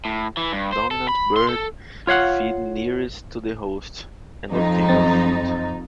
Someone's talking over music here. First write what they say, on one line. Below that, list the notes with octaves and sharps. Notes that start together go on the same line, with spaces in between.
Dominant birds feed nearest to the host, and obtain more food.
A2
E3
G2
C5
A4
B5
C6
A4
F4 C#5 F5 F#5
F2 D#4
F#2 C4 A6